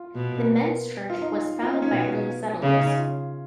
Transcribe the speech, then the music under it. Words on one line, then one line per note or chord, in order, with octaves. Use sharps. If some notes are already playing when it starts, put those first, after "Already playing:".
The Mentz Church was founded by early settlers.
Already playing: F4
B2
A#3
B3
F4
D#4
F4
D#4
C#4
B2 B3
C#3 C#4
D#4
C#4
F4